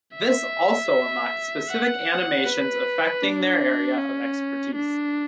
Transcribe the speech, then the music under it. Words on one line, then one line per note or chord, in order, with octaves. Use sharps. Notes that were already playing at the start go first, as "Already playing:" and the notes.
This also unlocks specific animations affecting their area of expertise.
E5
F#5
B4
D4
C#4
D4